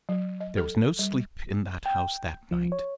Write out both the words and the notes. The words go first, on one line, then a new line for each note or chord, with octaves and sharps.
There was no sleep in that house that night.
F#3
D#5
A4
G3
G5
F3
C#5